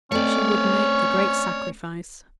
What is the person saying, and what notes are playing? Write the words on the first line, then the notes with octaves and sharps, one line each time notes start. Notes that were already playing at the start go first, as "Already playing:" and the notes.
She would make the great sacrifice.
A3 C4 C#4 C#5 D5